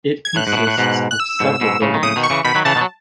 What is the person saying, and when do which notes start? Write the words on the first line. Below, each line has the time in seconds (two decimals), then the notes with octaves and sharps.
It consists of several buildings.
0.25 G#6
0.36 A2 F#6
0.47 G#2
0.53 B2
0.57 A2
0.67 A2
0.78 G#2 B2
1.11 F#6
1.20 E6
1.40 G#2 B2
1.61 G#2 B2
1.82 A2 C#3
1.94 D#3
2.03 A2 C#3 D#6
2.16 B2 D#3
2.23 C#6
2.30 C#3 E3
2.45 B2 D#3 B5
2.55 D#3 F#3
2.65 C#3 E3 A5
2.75 B2 D#3
2.81 F#3